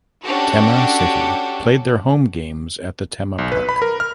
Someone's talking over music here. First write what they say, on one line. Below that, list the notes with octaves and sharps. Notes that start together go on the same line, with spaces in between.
Tema City play their home games at the Tema Park.
C#4 D4 F#4 G4 A4
B1
B4
B5
A#4
F6